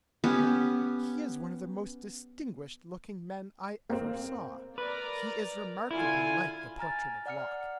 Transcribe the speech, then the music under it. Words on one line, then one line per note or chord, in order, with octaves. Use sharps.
He is one of the most distinguished-looking men I ever saw. He is remarkably like the portrait of Locke.
B3 C#4 G4
A#3 C4
A#4 B4 D5 A#5
D3 E4 F4 G#5
G#5 A#5 F6 A6
D5 F#5 F6 C#7